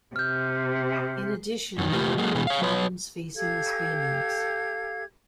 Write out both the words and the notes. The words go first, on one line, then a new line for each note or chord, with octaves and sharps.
In addition there were other problems facing the Spaniards.
C3 F6 G6
F#2 D#3
C3 A3 A#3 F4 G4
F#3 G#3 A#3
B2 E3 B3
C#5 F5
F#3 B4 C#5
G4 A4 F5 G#6